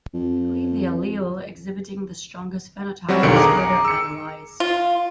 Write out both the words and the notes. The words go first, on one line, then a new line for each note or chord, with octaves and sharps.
Typically, the allele exhibiting the strongest phenotype is further analyzed.
F2
F#3 G3 C4 F#4
B1 F2 D3 D#3 C#7 D7
G#4 A#5 D6
E6 C#7
F4